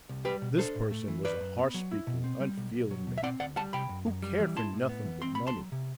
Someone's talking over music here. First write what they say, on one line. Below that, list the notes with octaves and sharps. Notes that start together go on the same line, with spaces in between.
This person was a harsh-speaking, unfeeling man, who cared for nothing but money.
C2
G3 G4 B4
B2
D4 A4 C5
A2
A3
E3
F#2 B4 D5
F#2
B3
F#3
E4
B2
C4
G3
B1
B1
F#3
B2
E5
C4 D5 F#5
D2 D5 F#5
G3 F#5 A5
C3 G5 B5
F#2
F#2
G3
E3
E4 A5 C6
A2
B3
E3
C4 C6
C2 B5
A5 C6
F#3
C3